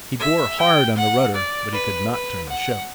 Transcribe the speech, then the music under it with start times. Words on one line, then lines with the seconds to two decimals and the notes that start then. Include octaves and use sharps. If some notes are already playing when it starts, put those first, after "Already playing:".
He bore hard on the rudder, but he could not turn the ship.
0.20 E5
0.59 G5
0.97 F#5
1.35 D5
1.73 B4
2.12 B4
2.49 F#5